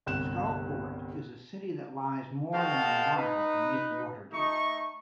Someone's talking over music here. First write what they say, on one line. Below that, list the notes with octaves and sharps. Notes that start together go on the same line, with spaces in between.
"Skullport" is a city that lies more than a mile beneath Waterdeep.
G1 C2 F#6 E7
G#3 A#3 F#4 F5 G5 A5
D#4 B4
A3 D#4 C#6